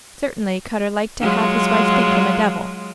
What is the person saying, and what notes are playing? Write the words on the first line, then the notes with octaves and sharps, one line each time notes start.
Certainly Cutter liked to have his wife think him a devil.
F#3 G#3 F4